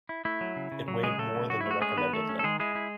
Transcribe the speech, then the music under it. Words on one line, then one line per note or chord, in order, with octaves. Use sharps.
It weighed more than the recommended limit.
E4
A3 E4
F#3
C#3
C#3
F#3
C#3 G#3 G#4
F#3 A3 A4
C#3
F#3 F#4
E4
A3 F#4
G#3 C#4 G#4
D#3 B3 B4
D#3 A3 A4
C#4
A4
D#3 G#3 G#4
G#3 E4 G#4
E4